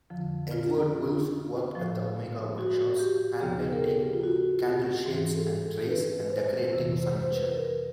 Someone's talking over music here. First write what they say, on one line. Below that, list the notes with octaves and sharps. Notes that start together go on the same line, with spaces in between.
Edward Wolfe worked at the Omega Workshops, hand-painting candle-shades and trays, and decorating furniture.
F2 D3 F3
F4
A2 F3
F#4
G4
D#2 C#3 F3 G#4
A#4
A4
G4
F4
F#4
G4
G#2 E3 G#4
A4
A4
B4
C5
F2 C3 E3 C5
C5
C5
B4
A#4